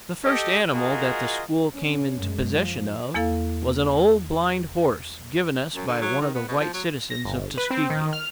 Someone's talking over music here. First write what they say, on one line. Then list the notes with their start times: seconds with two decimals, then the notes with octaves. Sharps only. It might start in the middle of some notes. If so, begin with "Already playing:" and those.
The first animal that the school came into possession of was an old blind horse given us by one of the white citizens of Tuskegee.
0.25 G4 A4 D#5
0.73 F4 F#4 G#4 A#4 D#5
1.73 C#4
2.17 F#2 G#3
2.50 F3
3.14 E2 A#3 E4 A4 F5
5.76 F#2
5.88 D3
6.01 F#3
6.21 D#3
6.35 B3
6.48 B2
6.60 F3
6.74 F#3
7.10 A#6
7.25 G1
7.57 B4
7.70 C4
7.90 D#3
8.13 F6